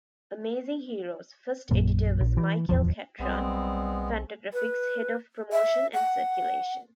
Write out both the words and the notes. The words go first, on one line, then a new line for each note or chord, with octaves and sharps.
"Amazing Heroes"' first editor was Michael Catron, Fantagraphics' head of promotion and circulation.
A#1 F#2 A#2
A#1
E3
D1 A1 E2 F3
B1 G3 G#3 B3 C4
B4
E5
F#5